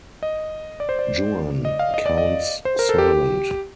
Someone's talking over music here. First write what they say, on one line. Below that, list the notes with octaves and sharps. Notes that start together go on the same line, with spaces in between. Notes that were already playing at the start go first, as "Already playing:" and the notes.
Juan: Count’s servant.
D#5
D5
C5
D5
D#5
F5
D#5
D5
D#5
C5
A#4
A4
G4